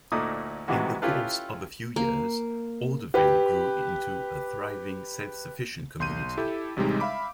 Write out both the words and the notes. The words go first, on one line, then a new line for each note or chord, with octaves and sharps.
In the course of a few years, Orderville grew into a thriving, self-sufficient community.
D2 A#2 A3 D#4 D#6
G#2 C3 D#3 E3 G#3 F#4
C#4 E4 F4 G4 A4 B4
A#3
G4 B4
B1 C6 G6 D#7
E4 G4 A4
A1 C3 G3 G#3 D#4
E5 F5 B5 D6